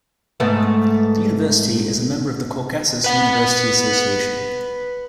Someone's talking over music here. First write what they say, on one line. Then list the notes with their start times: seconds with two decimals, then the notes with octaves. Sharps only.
The university is a member of the Caucasus University Association.
0.40 G#2 A3 B3
3.05 B4 F#5